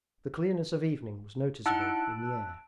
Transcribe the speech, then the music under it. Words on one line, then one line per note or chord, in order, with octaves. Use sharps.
The clearness of evening was noticeable in the air.
D#4 E4 F#5 A5 E6 F#6
D7